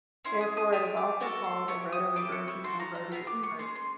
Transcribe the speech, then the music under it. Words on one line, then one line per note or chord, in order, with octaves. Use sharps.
Therefore it is also called a rotoinversion or rotary inversion.
C#4 E4 G#4 C6
D#6
D#6
A3 D4 G4 D#6
D6
B3 D4 F#4 A4 C#6
C6
B3 E4 G4 C#6
D#6
C4 E4 A4 D6
C#6
C#6
D4 F#4 A4 C6
A#5
A#5
B3 E4 G#4 B5
D6
C#6
C#4 E4 G#4 C6
C6